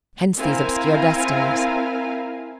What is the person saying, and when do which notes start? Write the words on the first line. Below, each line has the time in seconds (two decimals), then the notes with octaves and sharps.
Hence these obscure destinies.
0.36 C4 E4 A#4 F5 G#5 A#5